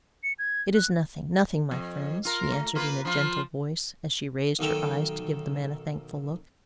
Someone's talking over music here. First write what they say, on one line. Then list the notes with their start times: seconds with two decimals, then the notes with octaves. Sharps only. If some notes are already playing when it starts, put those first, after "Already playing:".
"It is nothing, nothing, my friends," she answered in a gentle voice, as she raised her eyes to give the man a thankful look.
0.24 C#7
0.39 G#6
0.75 F#6
1.71 F2
2.25 F4 A#4
2.51 A3
2.75 A#3 F4 B4
3.05 F3 F4
4.59 B1 D#3 A4 G5